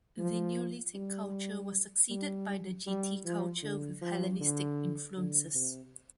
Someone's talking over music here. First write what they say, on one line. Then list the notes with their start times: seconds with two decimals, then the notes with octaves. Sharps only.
The neolithic culture was succeeded by the Getae culture with Hellenistic influences.
0.18 F3
0.94 G3
2.10 G3
2.87 G3
3.25 F3
3.63 D3
4.01 F3
4.40 D3
5.17 D3
5.55 C3